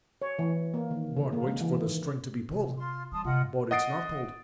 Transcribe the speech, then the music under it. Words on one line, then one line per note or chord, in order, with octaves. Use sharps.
One waits for the string to be pulled, but it's not pulled.
C#5
E3
A#3
D#3
C#3
A#3
G#3
E3
D#3
C3
F4 C6
E3 G3 A5 C6 D#6
D2 C3 F4 D#5 F#5
D#5 F#5 D#6 A6 C7 D7